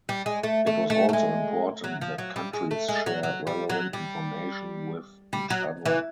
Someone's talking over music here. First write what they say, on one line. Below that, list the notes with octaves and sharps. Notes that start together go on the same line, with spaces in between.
It was also important that countries share relevant information with each other.
G3
G#3
A3
A3
A3
A3
G#3
F#3
F3
F#3
G3
G#3
A3
G#3
F#3
F#3
G3
F#3
G3
G3
F#3
E3